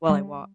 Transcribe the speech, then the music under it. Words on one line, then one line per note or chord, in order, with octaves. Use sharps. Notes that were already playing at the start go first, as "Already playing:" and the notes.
while I walk.
G3